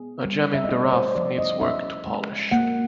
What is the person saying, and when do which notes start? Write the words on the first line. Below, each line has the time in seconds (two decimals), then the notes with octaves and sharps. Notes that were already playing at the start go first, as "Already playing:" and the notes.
A gem in the rough needs work to polish.
Already playing: B3 G#4
0.25 G3
0.54 E5
0.64 D#5
0.69 A3 D5
0.84 C#5
0.92 C5
1.15 F3 D5
1.39 D#5
1.61 C#4 E5
2.07 G#3
2.52 A#3 F#5